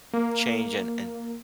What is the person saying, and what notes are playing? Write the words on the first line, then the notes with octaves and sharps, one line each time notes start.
change and and
A#3